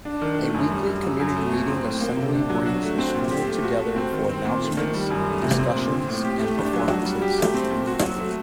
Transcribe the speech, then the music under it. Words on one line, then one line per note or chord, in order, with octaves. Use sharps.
A weekly community meeting assembly brings the school together for announcements, discussions and performances.
D4
D#3
A3
F#2
G3
F#2
F#3
F#2
A3
A#2
C4
A2
A#3
C3
D4
F#3
F#4
A3
C4
A#2
G4
A3
F#4
A3
C4
D#3
C4
A#2
A3
D#3
G3
F#2
A3
C3
C4
A#2
C4
A2
G4
A3
D4
F#3
F#4
G3
G4
A3
C4
A#2
F#4
F#3
A3